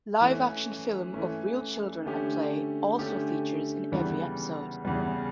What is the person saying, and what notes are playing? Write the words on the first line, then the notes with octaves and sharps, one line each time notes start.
Live action film of real children at play also features in every episode.
E3 A3 C#4
E3 A3 C#4
D3 A3 C#4 G4
D3 A3 C#4 G4
E2 C#3 E3 G3
E2 C#3 E3 G3